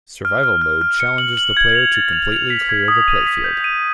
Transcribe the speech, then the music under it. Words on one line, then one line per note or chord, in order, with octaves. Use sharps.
Survival mode challenges the player to completely clear the playfield.
F6
F6
F6
F6
C#7
F#7
F#7
G#6
F7
A6
F7
F7
B6
G#6
D#6
D#7
B6
G6
D#7